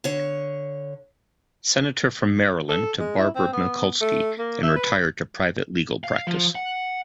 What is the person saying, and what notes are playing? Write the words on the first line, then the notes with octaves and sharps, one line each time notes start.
Senator from Maryland to Barbara Mikulski and retired to private legal practice.
D3 C#5
A4
G#3
E4
C4
B3
A3
A#3
E5
B4
F5
F3
F#5